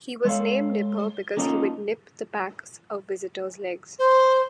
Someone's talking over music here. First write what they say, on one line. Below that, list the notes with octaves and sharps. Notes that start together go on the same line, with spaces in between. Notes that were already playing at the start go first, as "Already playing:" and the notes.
He was named Nipper because he would "nip" the backs of visitors' legs.
G#3 A4 C#5 F5
A#3 C#4 D#4 F4 G#4 A4
C5